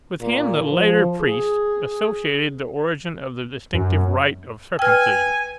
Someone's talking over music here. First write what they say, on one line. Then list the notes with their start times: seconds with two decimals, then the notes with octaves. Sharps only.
With him the later priests associated the origin of the distinctive rite of circumcision.
0.21 A#2
0.71 F3
1.22 G#4
3.73 F#2
4.79 B4 G5 G#5 E6 F6